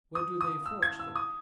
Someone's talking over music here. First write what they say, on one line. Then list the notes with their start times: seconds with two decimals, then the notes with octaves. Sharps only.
Where do they forge them?
0.15 D#6
0.41 D#6
0.66 E6
0.82 G#6
0.99 E6
1.16 D#6